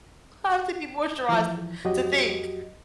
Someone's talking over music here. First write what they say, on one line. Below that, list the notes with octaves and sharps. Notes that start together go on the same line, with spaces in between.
I have to be moisturized, to to think.
E3 F3
F2 F#3 F#4 G4 D#5